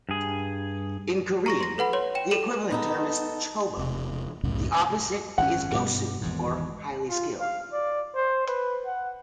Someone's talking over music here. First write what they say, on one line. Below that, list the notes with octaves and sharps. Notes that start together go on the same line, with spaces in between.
In Korean, the equivalent term is "Chobo"; the opposite is Gosu, or "highly skilled".
G2 G#4
A#5 C#6 A#6
C6 A#6
A4 B4 F#5 B5
C#5 C6
G5 E7
G4 A4 E7 F#7
B3 D#4 A4
E1 C3
C2 F#2 A2 C#3
G#1 F#2 C#4 F#5
G2 B2 G3
G#1 E2 G#2
F4
F5
D5
C5
B4
F#5